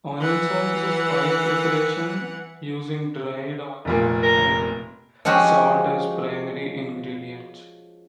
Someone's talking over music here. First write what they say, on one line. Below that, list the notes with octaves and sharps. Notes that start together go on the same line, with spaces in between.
Onion salt is a spice preparation using dried onion and salt as primary ingredients.
E3 F#5
F1 A#2 A#3
A#4
F3 G#3 C#4 F#4 G4